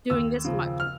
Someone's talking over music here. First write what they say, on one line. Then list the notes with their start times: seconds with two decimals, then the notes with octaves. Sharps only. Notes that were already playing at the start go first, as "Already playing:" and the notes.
doing this much.
0.10 D#2 E6
0.45 C#3 F3
0.80 F6